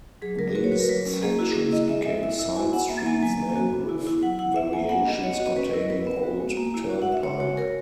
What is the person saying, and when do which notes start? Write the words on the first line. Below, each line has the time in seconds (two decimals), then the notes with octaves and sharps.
These sections became side streets named with variations containing Old Turnpike.
0.22 F#3 G#4
0.38 F#3 A#4
0.55 F#4 B4
0.64 C#5
0.71 F#4 B4
0.80 A#4
0.89 F#3
1.06 C#4
1.22 A#3 G#4
1.39 E4 F#4
1.55 A#3 G#4
1.72 E4 D#5
1.89 G#3 E5
2.05 G#3 E5
2.23 E4 E5
2.39 E4
2.56 F#4 G#5
2.73 B3 F#5
2.89 A#3 E5
3.06 A#3 G#5
3.22 F#3 G#5
3.40 A#3
3.56 F#4
3.73 B3
3.89 E4
4.07 E4
4.22 F#3 F#5
4.39 E4 F#5
4.56 E4 E5
4.73 A#3 G#5
4.89 B3 F#5
5.06 B3 D#5
5.23 F#4 C#5
5.34 D#5
5.40 F#4
5.46 D#5
5.57 C#4 B4
5.73 E4 A#4
5.90 B3 B4
6.07 B3
6.23 F#4
6.40 G#3
6.57 A#3
6.74 E4
6.90 F#4
7.02 F#5
7.06 F#4
7.12 E5
7.23 G#3 C#5
7.40 F#4 C#5
7.57 G#3 A#4